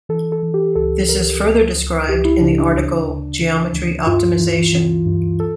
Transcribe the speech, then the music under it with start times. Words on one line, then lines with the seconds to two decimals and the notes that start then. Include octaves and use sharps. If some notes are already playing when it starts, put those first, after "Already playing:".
This is further described in the article geometry optimization.
0.09 E3 A4
0.32 A4
0.43 E3
0.54 G4
0.76 C#2 A4
1.09 C#2 A#4
1.42 C#2
1.76 C#2
2.08 C#2 G4
2.25 E4
2.41 C#3 D4
2.59 D4
2.74 D2
3.08 D2
3.41 E3
3.73 D2
4.07 G2 F4
4.39 E3
4.73 E3
5.06 G2
5.40 A4